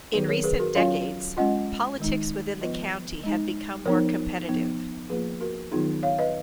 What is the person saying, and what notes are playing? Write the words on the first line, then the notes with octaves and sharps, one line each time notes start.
In recent decades, politics within the county have become more competitive.
D#3 F#3 B3 D#4 G#4 B4
A#4 C#5
G#4 B4
F#4 A#4
F#3 C#4 F4 C#5 F5
G#3 C#4 F4 D#5 F#5
D#3 G#3 D#4
F3 B3 F4 B4 D#5
G#3 D#4
F3 B3 D#4 A#4 C#5
F3 B3 D#4
F3 A#3 F4 G#4 B4
F#4 A#4
D#3 F#3 B3 D#4 F4 G#4
C#5 F5
B4 D#5